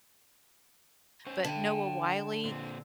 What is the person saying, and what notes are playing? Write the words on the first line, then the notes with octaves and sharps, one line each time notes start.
but Noah Wiley
C#4 C5
D3 G5 A5
A#2 C4